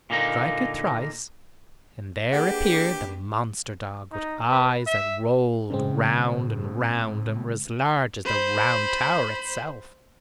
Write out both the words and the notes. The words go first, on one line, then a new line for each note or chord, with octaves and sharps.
Strike it thrice and there appeared the monster dog with eyes that rolled round and round and were as large as the Round Tower itself.
A#2 D3 A#3 D#4
A#3 D4 G4 G#4 B4 F#5
D#4
B4
E5
A2 C#3 G#3 C4
C5 B5